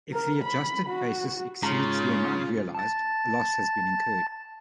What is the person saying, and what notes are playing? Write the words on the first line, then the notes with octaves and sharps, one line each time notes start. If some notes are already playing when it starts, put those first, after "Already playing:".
If the adjusted basis exceeds the amount realized, a loss has been incurred.
A#4
B5
F#4
G#2 C#3 F4 A#5
A5 A6